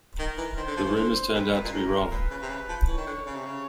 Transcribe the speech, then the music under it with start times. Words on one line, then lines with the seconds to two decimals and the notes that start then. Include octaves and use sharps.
The rumours turned out to be wrong.
0.19 D#3 A#4
0.37 E3
0.57 D#3 C5
0.67 D3
0.76 F3
0.86 E3
0.96 D3 C5
1.34 C3 B4
1.53 C3
1.64 A#2
1.73 A2 A#4
2.11 A#2 B4
2.30 C#3
2.42 C3
2.49 C#3
2.68 F3
2.87 E3 C#5
2.97 D#3
3.07 D3
3.26 C#3 C#5
3.35 C3
3.46 C#3